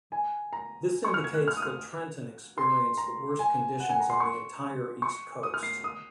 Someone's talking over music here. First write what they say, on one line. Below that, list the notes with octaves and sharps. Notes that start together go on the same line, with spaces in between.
This indicates that Trenton experienced the worst conditions on the entire East Coast.
G#5
A#5
C#6
F6
G#6
F#6
F6
D#6
F6
C6
A#5
G#5
F#5
G#5
A#5
C6
C#6
C#6
D#6
F6
C7
D#6